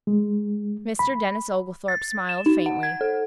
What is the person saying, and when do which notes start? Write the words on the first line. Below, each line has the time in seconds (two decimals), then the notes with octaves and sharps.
Mr. Denis Oglethorpe smiled faintly.
0.07 G#3
0.99 B5
1.88 A6
2.29 E7
2.46 D#4
2.66 F#5
2.83 G#6
3.01 A4